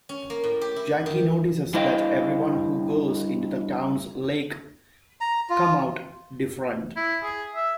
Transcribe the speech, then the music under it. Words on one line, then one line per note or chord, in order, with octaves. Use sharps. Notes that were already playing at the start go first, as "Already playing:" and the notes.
Jackie notices that everyone who goes into the town's lake come out different.
C#4
A#3
A2
G4
E4
D#3
G2 E4 C5 D#5 F5 G5
A#5
F4
E4
G#4
E5